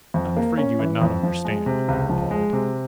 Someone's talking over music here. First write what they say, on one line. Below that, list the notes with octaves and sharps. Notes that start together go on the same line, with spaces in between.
"I am afraid you would not understand," he replied.
F2
A#3
C#4
E3
F2
F3
G#3
C3
C#2
F3
G#3
C3